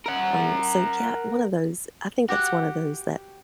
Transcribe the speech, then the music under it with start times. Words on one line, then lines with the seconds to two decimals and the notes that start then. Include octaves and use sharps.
Um, so, yeah, one of those I think that's one of those that
0.06 A#4 F#5
2.28 F#4 G4 F#5